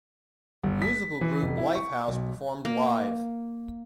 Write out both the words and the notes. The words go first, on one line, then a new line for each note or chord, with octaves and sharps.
Musical group Lifehouse performed live.
G1
B6
E3
F1
E4
C#6
B1
A#3